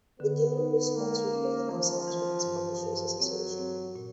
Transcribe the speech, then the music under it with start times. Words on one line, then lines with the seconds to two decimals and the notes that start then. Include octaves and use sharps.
The game was sponsored by the Los Angeles Publishers Association.
0.20 D3 B3
0.57 D#4
0.95 G#3 A#3
1.33 C#4
1.70 E3 F3
2.07 E3
2.46 G2
2.83 G2
3.20 F#3 C4
3.59 C4
3.96 A#2